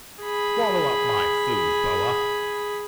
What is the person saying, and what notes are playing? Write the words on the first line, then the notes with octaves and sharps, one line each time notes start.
Swallow up my food, boa.
G#4 B5